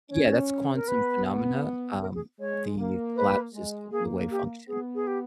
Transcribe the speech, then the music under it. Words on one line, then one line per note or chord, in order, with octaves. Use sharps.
Yeah, that's quantum phenomena, um, the collapses of the wave function.
C#4 C#5
A#4
B3 B4
A#4
G#4
G#3 C#5
A#3
B4
G#3
A#3 G#4
G4
B3 G#4
G#4
G4